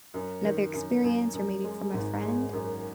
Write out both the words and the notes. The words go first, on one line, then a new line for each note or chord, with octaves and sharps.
another experience or maybe from a friend?
F#2
D#3
F#2
F#2
F#2
G#3
G#1
G#3
F#2